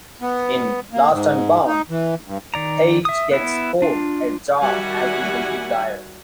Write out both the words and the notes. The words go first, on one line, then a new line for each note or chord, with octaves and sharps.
In "Lost and Bound", Paige gets Cole a job as a legal aid lawyer.
B3
A#3
G#2
D#4
E3
G2
D#3 D5 A#5
E5 D#6
B3 E4
D4 F4
D#3 G3 F#4 E5 F#5 G#5